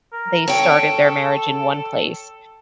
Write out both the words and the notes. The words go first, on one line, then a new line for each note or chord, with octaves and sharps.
they started their marriage in one place.
A#4
A4 C#5 G5